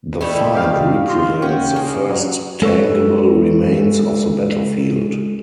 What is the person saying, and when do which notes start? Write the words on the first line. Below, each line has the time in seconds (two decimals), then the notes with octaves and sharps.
The find represents the first tangible remains of the battlefield.
0.21 G3 A3 E4 D#5
0.55 G4 F5
1.10 F4 C6
1.42 C#4 F#4 G5
1.76 A#3 G#4
2.10 F#3 F#4
2.62 G#3 A4 B4 C#5